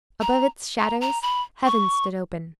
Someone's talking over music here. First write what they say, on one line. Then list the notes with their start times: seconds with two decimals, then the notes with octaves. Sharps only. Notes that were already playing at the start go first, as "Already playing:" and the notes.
Above its shadows heaven stood open.
0.21 A#5
0.79 A#5
1.01 A#5
1.22 B5
1.66 C#6